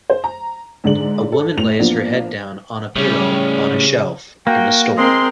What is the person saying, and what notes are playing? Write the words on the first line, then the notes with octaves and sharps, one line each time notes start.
A woman lays her head down on a pillow on a shelf in a store.
C5
A#5
G#2 D3 G#3 D5 F#7
A4
A1 F7
F3 A#3 B3 D4
A2 C#3 G3 C#4
A#3 F#4 G5
G#3 C4 A#4 D#5 C6